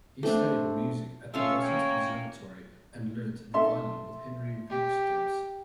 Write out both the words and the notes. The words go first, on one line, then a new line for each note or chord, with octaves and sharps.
He studied music at the Brussels Conservatoire and learnt the violin with Henri Vieuxtemps.
A3 C4 D4
A3 C#4 F4 F5 C#6 E6
A#3 C#5 G5
A4 E5 C6
G4